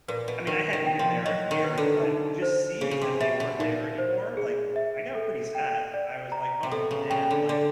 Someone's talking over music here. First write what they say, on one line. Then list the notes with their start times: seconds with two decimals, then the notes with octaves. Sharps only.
I mean, I hadn't been there in years, but just seeing that they weren't there anymore, like, I got pretty sad. I was, like, "Oh, man. Like,
0.08 A#2 B4
0.28 B2
0.47 D#3 B4
0.73 D#3
0.86 G5
0.99 F3
1.25 F#3 D#5
1.51 D#3
1.64 B4
1.78 D3
2.03 D#4
2.42 C5
2.81 C#3 G#4
2.91 C#3
3.01 C3
3.21 B2 E5
3.40 B2
3.59 A#2 D#4
3.98 C5
4.37 G#4
4.76 E5
5.15 A4
5.55 G5
5.94 D5
6.32 A#5
6.63 C3
6.71 B2 A4
6.91 C#3
7.10 C#3 G5
7.31 D3
7.49 D3 D5